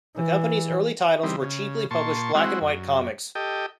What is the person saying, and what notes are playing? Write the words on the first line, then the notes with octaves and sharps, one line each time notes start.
The company's early titles were cheaply published black-and-white comics.
E3
E3 G3 C4 D#4
C#3
A#2 A5 C6 C#6
G#3 C4 E4 F#4
F#2
G4 A4 D#5 G5